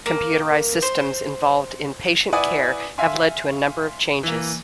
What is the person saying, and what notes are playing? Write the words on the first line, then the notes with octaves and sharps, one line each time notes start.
Computerized systems involved in patient care have led to a number of changes.
A#3
C5
E4 B4 D5 F#5 G#5 D#6
E5 F5 G#5 C6
E3 A#3